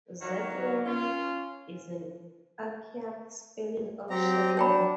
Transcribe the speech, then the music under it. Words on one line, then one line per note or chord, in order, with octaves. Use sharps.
Zetland is an archaic spelling of Shetland.
D#3 F#3 F#4 C#5 D5 F5
C#4 F4
F#3 C4 G4 A#5
D4 C#5 G5 B5